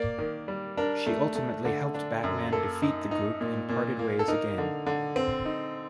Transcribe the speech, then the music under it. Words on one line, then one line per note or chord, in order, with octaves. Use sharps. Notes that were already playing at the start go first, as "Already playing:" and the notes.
She ultimately helped Batman defeat the group and parted ways again.
Already playing: A#3 D5
D#3
G3
D4 A#4
A3
A3
D3
D4
F#2
A#3 A4
D#4
D#4
A#2
A#2
A#3
A4
D#4 A#4
D3
D3
C4
D#4